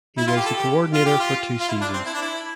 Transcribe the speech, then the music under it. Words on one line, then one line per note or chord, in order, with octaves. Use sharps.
He was the coordinator for two seasons.
E4
F4
G4
A4
G4
F4
G4
F4
F4
E4
D4
C4
E4
D4
E4